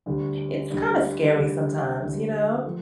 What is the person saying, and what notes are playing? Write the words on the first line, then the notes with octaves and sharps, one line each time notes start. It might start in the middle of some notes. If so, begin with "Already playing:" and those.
it's kinda scary sometimes, you know,
D2 D3 G3 D4
D2 D3 G3 D4
D2 D3 G3 D4
D2 D3 G3 D4
F3 A3